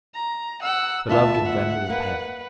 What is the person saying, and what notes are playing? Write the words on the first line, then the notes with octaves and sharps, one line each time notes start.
Beloved and venerable parent!
A#5
F#5 E6
D2 B3 F4 E5 A5
F#5
A#3 B4